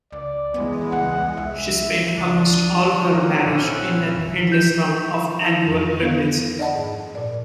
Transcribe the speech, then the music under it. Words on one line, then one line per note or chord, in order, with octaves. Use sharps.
She spent almost all her marriage in an endless round of annual pregnancies.
C#2 D5
E2 E3 G#3 B3
C#2 F#5
C2 E5
C#2 D4
F3 F#3 D#6
E3 F3 A#3 C#4 F#4 A#4
C4
A#1 C#4 E4 F#5
F1 C2
G6
D#4 E4
F2
B3 F5
D5 D#5 F#5 A5 B5
G#2
A#2 D5